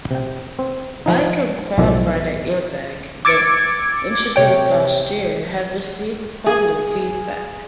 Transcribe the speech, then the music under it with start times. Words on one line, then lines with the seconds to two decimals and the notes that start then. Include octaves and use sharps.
Bike and quad rider airbag vests introduced last year have received positive feedback.
0.11 C3 G5
0.59 C4
1.06 F3 D#4
1.78 B1 A2 D#3 F3 D5 E5
3.25 D6 E6 G#6 A6 C#7 D7
4.36 C3 C#5 G5
6.46 G#4